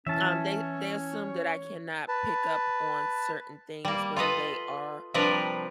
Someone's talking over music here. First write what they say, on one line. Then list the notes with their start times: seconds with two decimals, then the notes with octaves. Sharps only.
um, they they assume that I cannot pick up on certain things when they are
0.07 E3 C#4 C#5 E5 A5
2.08 B4 A5
3.85 G3 A#3
4.16 F4 A4 B4 D#5
5.14 C3 F3 G3 D4 A#4 B4